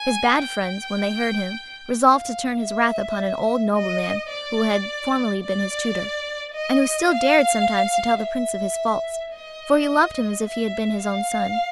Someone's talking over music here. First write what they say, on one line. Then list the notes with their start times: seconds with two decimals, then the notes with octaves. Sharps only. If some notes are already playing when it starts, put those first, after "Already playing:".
His bad friends, when they heard him, resolved to turn his wrath upon an old nobleman who had formerly been his tutor; and who still dared sometimes to tell the Prince of his faults, for he loved him as if he had been his own son.
Already playing: G#5
0.38 G5
2.07 F5
2.62 E5
3.73 D#5
4.30 D5
5.42 D5
6.53 D#5
7.10 F5
8.21 E5
9.33 D#5
10.44 E5
11.01 F5